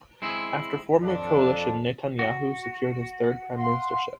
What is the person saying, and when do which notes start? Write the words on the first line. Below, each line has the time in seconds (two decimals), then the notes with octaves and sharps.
After forming a coalition, Netanyahu secured his third prime ministership.
0.22 G#3 C4 E4
1.02 F2 D4
2.19 F#4
3.56 F5 F#5 C6